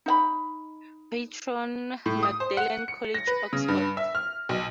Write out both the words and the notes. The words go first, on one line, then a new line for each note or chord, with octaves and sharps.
Patron, Magdalen College, Oxford.
D#4 F5 B5
A2
D#6
C5
F#5
C#7
A#6
B4
C#3
G2
E5
F6
B1